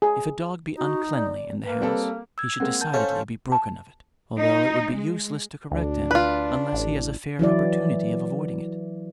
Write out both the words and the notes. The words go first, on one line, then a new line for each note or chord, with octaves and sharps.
If a dog be uncleanly in the house, he should decidedly be broken of it, although it would be useless to correct him unless he has a fair opportunity of avoiding it.
G#4
D#4 F#4
D5
A#3 B4
G3 C4 A4
E6 G#6
G#3 A#3 C4 F#5
A#4 A5 G6
C#4 A4 C5 F5
A5
D#4
G#3
D2 D4
F4 B4
A1
E3 F#3 E4 D5